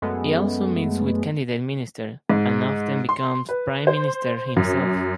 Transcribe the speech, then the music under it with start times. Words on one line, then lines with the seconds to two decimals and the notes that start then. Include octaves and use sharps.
He also meets with candidate ministers and often becomes Prime Minister himself.
0.02 F#2 G#3 A3 B3
2.30 G#2
3.09 C6
3.49 B4
3.87 C5
4.56 F#2